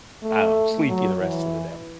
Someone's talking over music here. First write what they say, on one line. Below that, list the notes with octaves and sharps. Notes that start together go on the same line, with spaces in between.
I don't sleepy the rest of the day.
A3
F#3
E3